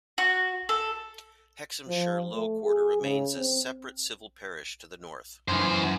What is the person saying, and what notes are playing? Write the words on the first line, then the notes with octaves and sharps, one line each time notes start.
Hexhamshire Low Quarter remains a separate civil parish, to the north.
F#4
A4
F3
A3
G#4
C#3
C4
F#2 E3 C5